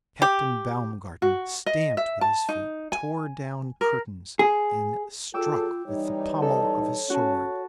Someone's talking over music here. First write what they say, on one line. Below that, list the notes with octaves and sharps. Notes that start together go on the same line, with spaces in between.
Captain Baumgarten stamped with his feet, tore down curtains, and struck with the pommel of his sword.
G4
F#4
D#5
E5
A5
D#4
G#5
A#4
G#4
F#3 F4 G#4 A4 G5 D6 E6
E3 G3 D#4 C#5
A4
C#4 F#4 A5